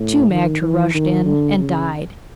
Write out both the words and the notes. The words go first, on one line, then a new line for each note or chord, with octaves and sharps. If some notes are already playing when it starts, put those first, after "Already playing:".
Two magter rushed in, and died.
Already playing: A2
D#3
E3
D#3
D3
C#3